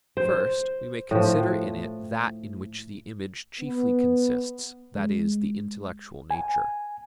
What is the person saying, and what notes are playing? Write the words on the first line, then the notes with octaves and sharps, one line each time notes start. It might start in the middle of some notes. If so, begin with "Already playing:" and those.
First, we may consider in it that in which the image chiefly consists, that is, the intellectual nature.
C5
A2 F3
B3
G#3
G#5